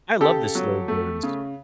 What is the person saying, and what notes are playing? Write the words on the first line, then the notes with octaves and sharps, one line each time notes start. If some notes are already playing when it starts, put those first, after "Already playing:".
I love the slow burns.
C#3 G4 A4
F#3
A3
C#3